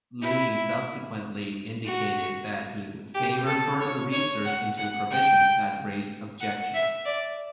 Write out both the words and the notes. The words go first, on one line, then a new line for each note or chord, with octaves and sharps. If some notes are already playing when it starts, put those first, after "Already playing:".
Leahy subsequently indicated that he would favor further research into provisions that raised objections.
E4
F#4
G4
A4
C#5
C#5
F#5
F#5
G5
F#5
E5
D5